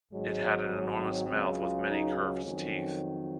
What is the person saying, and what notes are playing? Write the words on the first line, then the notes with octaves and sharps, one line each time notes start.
It had an enormous mouth with many curved teeth.
G#1 G#2 F#3 G#3
G#3
C4
C#2 C#3 F#3
F4
D#4
C#4
F2 D#3 F#3